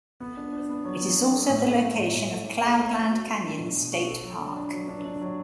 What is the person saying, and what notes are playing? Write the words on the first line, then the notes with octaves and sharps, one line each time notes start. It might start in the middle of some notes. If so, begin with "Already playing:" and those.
It is also the location of Cloudland Canyon State Park.
B3
D4
D4
B3
F#3
B3
D4
A4
A2
A4
A3
A2
A2
A4
E4
A4
A3
A3
F#4
A3
D4
B2
B2
F#4
A4
F#3
D4
D4
F#3
D4
D4
F#3